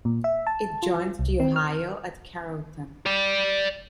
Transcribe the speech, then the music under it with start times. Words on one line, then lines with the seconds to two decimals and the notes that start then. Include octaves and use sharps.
It joins the Ohio at Carrollton.
0.05 A#2
0.24 E5
0.47 A5
0.83 F4
1.19 C2
1.40 C4
1.56 F6
3.06 D5 G5